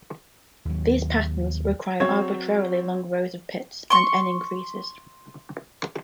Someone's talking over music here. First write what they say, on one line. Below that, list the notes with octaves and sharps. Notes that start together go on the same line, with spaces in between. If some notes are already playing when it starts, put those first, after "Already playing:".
These patterns require arbitrarily long rows of pits and "n" increases.
D#2 F#3
F#3 C4 C#5 G#6
C6 C#6